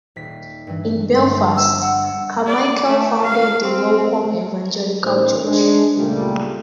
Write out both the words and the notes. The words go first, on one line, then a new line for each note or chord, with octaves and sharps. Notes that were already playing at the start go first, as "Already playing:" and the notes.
In Belfast, Carmichael founded the Welcome Evangelical Church.
D#1 B6 C7
G2 E3
G1 G2 C6
E6
F#5
D5
A3
F5
C4
A1 D#3 C5
G#3 D4
C#2 A#2 G3 A3